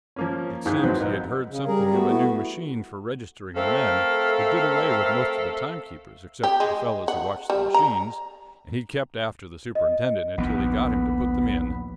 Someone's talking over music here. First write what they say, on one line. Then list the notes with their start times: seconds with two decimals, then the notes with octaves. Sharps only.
It seems he had heard something of a new machine for registering the men, that did away with most of the timekeepers except the fellows who watched the machines, and he kept after the Superintendent until he got him to put them in.
0.16 F3 A#3 C#4
0.65 D#2 G#2 E4 G#4 G6
0.83 G#1 A#2 F3 F#3 C4 B4
1.00 A#4 D#5 F#5
1.49 C#3
1.67 G3 G#4 A#4
1.92 A3 B3 F#4
2.10 E4
3.56 A3 C4 A4 A#4 E5 F5
6.43 G4
6.60 G#3
7.08 F#5
7.50 G3
7.74 A#5
9.75 D#5
10.38 A#1 D#2 B3